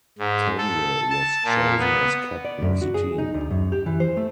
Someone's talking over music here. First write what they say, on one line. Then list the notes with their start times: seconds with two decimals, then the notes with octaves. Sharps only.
Tange was chosen as captain of the team.
0.18 G#2
0.58 A4
1.10 A5
1.45 A#2
1.79 B3
2.45 D5
2.62 F#2
2.81 F#4
2.94 G#4
3.18 D#4
3.34 D2
3.51 F#2
3.72 G4
3.86 E3
4.00 C5
4.17 A3